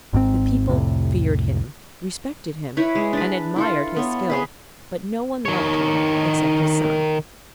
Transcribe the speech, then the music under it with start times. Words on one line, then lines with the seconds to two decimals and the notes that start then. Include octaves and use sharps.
The people feared him, respected him, and admired his skill, but no one loved him except his son.
0.13 G#1 G#2 C3 C4
0.69 C2 F2 A2 C3
2.77 E4 B4 C#5
2.95 G#3
3.13 D4 B4
3.56 E4 F4 A4
3.96 B3 C#5
4.30 B3 G#4 B4
5.45 D#3 C#5